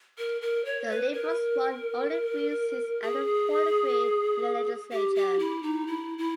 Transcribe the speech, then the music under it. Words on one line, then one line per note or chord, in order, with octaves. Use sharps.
The Liberals won only three seats out of forty-three in the legislature.
A#4
A#4
C#5
B4
A#4
G#4
G4
G4
E4
D#4
E4
E4